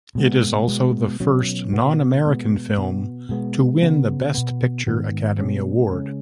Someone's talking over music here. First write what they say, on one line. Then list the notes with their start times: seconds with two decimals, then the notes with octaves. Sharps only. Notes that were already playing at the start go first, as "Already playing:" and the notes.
It is also the first non-American film to win the Best Picture Academy Award.
0.15 B2 G#3 B3
0.68 B2 G#3 B3
1.20 B2 F#3 C#4
1.72 B2 B3
2.25 B2 G#3 B3
2.78 B2 B3
3.29 B2 G#3 B3
3.82 C#3 B3
4.35 B2 B3
4.87 G#2 D#3 B3
5.39 B2 G#3 C#4
5.91 C#3 G#3 C#4